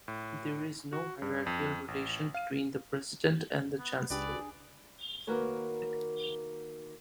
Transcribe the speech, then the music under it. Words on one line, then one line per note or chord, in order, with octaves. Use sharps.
There is no hierarchical relation between the president and the chancellor.
A2
F#4
G2
F2
A1
F5
B3
C#2 D4 G4 G#4 B4 D5
D#3 A#3 F#4 A#4 B4 C#5